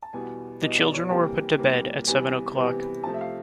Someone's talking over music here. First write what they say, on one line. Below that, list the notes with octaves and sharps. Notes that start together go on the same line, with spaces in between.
The children were put to bed at seven o’clock.
A5
E2 B2 G3 B3 G#5
E2 B2 G3 B3 D#5
D5
C#5
C3 E3 G3 A#3 G5
C3 E3 G3 A#3
C3 E3 G3 B3 G#5
C3 E3 G3 B3
C3 F3 A3 A5
E5
F5